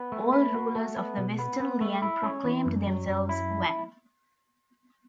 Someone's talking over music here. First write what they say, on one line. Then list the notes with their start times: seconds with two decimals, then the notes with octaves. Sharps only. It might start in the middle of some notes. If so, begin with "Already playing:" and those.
All rulers of the Western Liang proclaimed themselves "wang".
Already playing: B3
0.12 A3
0.33 B4
0.54 F#4
0.75 A3
0.96 B3
1.17 B2
1.39 B3
1.60 B3
1.81 A3
2.02 E4
2.23 C#4
2.44 E3
2.66 F#2
2.87 F#3
3.08 F#2
3.29 E4